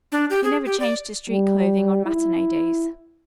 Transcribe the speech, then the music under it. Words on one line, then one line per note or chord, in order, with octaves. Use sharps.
He never changed to street clothing on matinee days.
D4
G4
G#4
G4
D5
G3
E4